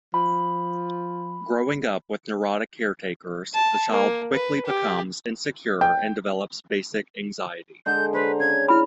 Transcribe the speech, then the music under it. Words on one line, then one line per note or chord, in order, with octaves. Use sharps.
Growing up with neurotic caretakers, the child quickly becomes insecure and develops basic anxiety.
F3 B5
A5
A#3
B4
G4
G5
D3 G#3 G6
D3 B4 C5 A#5
C#3 G#6
E4 B5 F6